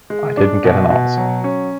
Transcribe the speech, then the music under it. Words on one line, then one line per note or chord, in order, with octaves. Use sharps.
I didn't get an answer.
G#3
D4
B2
B2
F#3
C#4